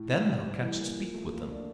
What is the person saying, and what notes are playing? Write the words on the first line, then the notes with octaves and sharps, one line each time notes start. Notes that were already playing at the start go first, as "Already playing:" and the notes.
Then thou canst speak with them.
Already playing: A2
A3
G3
G3
E3
A#3
F3
A3
A#3
D4